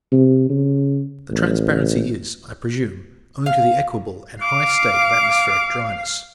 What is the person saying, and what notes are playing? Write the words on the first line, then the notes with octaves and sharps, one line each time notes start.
The transparency is, I presume, owing to the equable and high state of atmospheric dryness.
C3
C#3
A1
F5
F5 D6